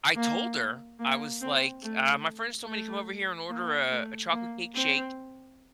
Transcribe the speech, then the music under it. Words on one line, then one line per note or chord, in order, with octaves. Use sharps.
I told her. I was, like, "Uh, my friends told me to come over here and order a a chocolate cake shake."
A#3
A#3
C4
A3
A3
A#3
A3
A#3
C4